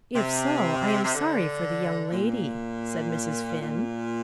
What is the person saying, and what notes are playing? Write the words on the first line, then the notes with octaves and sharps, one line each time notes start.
"If so, I am sorry for the young lady," said Mrs. Finn.
C3
C3
D3
A#2
A#2